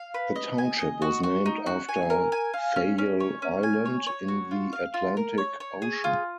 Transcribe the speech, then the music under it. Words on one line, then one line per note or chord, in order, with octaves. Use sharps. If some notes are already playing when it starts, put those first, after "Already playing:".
The township was named after Fayal Island in the Atlantic Ocean.
Already playing: F5
B4
D#5
G#5
D#5
F#4
F#4
D#4
F#4
G#5
A#4
G#5
F5
C#4
C#4
C#5
C#4
G#5
C#5
C#5
F#4
F4
F5
F4
A#4
C#5
C#5
G#4
F4